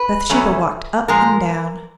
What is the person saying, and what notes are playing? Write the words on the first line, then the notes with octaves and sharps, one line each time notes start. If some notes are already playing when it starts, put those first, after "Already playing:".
Bathsheba walked up and down.
Already playing: B4
E2 B2 F#3 A3 C#4
A#2 F3 G#3 A#4